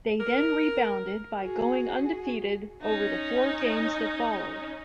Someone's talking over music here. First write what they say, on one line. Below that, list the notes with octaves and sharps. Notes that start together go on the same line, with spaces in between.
They then rebounded by going undefeated over the four games that followed.
A#4
F#4 G#4
C#4 D#4